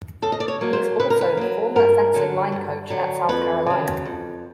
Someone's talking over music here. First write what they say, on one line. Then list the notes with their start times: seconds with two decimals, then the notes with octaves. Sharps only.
He is also the former offensive line coach at South Carolina.
0.22 C#3 A4
0.32 D#5
0.40 D5
0.48 C#5
0.61 F#3 A#3
0.73 C5
0.99 C#3 B4
1.10 A#4
1.21 B4
1.37 F#3 A#3
1.76 G2 A#4
2.14 D3 F#3
2.52 G2
2.90 D3 F#3
3.29 F2 B4
3.66 C#3 F#3
4.05 F2